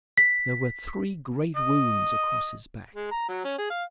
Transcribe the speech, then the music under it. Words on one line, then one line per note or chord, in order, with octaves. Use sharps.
There were three great wounds across his back.
B6
D#5
G#3
A#5
F#3
C#4
G#4
F5